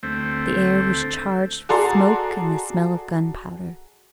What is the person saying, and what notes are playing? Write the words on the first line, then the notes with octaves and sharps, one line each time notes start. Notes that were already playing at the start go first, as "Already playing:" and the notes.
The air was charged with smoke and the smell of gunpowder.
D2 A3 C4
F#4 G#4 A4 D5 A#5 C6